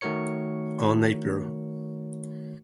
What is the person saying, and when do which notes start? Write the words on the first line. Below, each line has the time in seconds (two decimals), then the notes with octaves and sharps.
On Apr.
0.01 D#3 A3 F#4 A#4 C#5 C#7